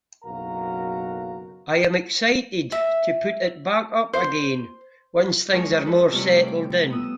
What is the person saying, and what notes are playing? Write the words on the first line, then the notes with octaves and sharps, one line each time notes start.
I am excited to put it back up again once things are more settled in.
F#1 B1 F#4 A#4 F5 A#5
E5
C5
F3 G#3 C#4 A#4 C#5
A4 B4 D#5
C3 G3 A3 C#4 F4 C#5
D6
B3 D#6 E6